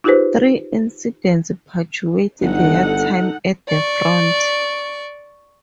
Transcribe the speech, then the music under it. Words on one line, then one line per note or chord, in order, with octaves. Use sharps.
Three incidents punctuate their time at the front.
D#4 F4 G4 G#4 B4 C5
G1 D#4 A4 F#5
D5 C#6